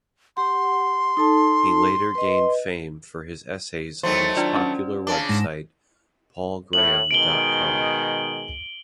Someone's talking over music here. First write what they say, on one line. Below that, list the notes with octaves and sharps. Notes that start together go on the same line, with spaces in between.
He later gained fame for his essays on his popular website paulgraham dot com.
G4 F#5 C6
D#4 A4 A5
B4 D#5
D#3 F#3 A3 C5
D4 F4 D5
C#4
C#3 D4 A5 D6
G#2 A#6 E7
A2 F#7
B2 D#3 G#3 D7 F#7 G7